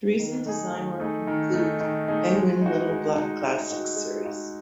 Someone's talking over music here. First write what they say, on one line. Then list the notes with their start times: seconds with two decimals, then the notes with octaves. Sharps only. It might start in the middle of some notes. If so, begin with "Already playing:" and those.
Recent design work includes the Penguin Little Black Classic series.
0.20 D#3
0.46 A3 D#4 G#4
0.74 D#3
1.00 A3 D#4 G#4
1.27 D#3
1.54 A3 D#4 G#4
1.80 D#3
2.08 A3 D#4 G#4
2.35 G#3
2.61 D#4 F#4
2.89 G#3
3.15 D#4 F#4
3.42 G#3
3.70 D#4 F#4
3.96 G#3
4.24 D#4 F#4